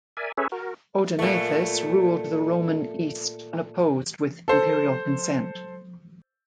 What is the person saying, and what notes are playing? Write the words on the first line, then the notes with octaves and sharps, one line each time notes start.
Odaenathus ruled the Roman East unopposed with imperial consent.
A#4 D5 E5 G#5
C#4 G#4 A4 B4 C#5 E5
F#4 A#4
A#2 A3
A4 C5